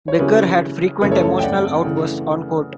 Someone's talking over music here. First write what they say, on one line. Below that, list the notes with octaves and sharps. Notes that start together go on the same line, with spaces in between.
Becker had frequent emotional outbursts on court.
C#5
C#3 F#3 C#4 E4 G4 B4
F#2 C#3 E3 A3 G4 B4
A4 C#5
A4 C#5
G5
D5 F#5
C#3 E3 A3